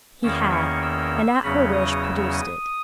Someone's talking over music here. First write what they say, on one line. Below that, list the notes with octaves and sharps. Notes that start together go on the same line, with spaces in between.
He had, and at her wish produced it.
E2 D#3 A#3 C#4 E6
C#6
E6
E2 C#3 F#3 C#4 B5
D#6
E6
D#6